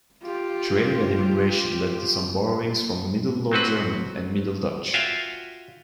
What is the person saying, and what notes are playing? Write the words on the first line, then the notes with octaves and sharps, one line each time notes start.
Trade and immigration led to some borrowings from Middle Low German and Middle Dutch.
F4 G4
F#3 C4 F#4 B4
F4 F#4 E5 F5 G5 G#5